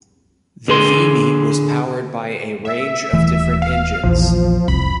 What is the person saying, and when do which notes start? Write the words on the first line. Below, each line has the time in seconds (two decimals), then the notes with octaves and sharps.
The Vimy was powered by a range of different engines.
0.68 D3 G#4 C6
2.65 E5
3.13 D#1 E3 A3
3.62 F5
4.04 A#1 E2 F3
4.68 F1 C2 B5